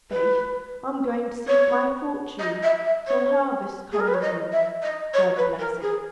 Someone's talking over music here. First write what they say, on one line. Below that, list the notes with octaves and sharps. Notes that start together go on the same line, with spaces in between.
"Faith, I'm going to seek my fortune till harvest comes in, God bless it!"
B4
C#5
D#5
E5
E5
C#5
G#4
A#4
B4
C#5
D#5
E5
D#5
C#5
B4
A#4
G#4